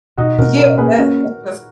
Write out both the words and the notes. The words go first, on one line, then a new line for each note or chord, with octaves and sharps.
Yeah, that that's just
B2 D#4 F#4
B2 F#4 A#4
C#4 A#4 C#5
A#3 G#4 B4
C#4 F#4 A#4